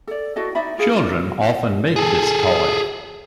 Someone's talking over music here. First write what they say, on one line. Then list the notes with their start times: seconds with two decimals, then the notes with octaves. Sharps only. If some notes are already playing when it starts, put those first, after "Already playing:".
Children often make this toy.
0.07 A4 D5
0.36 E4 F#4 A4 D#5
0.55 D#4 D5 E5 B5
0.78 F4 G#4 F5
0.96 D4 A4 A#4
1.96 G#4 A4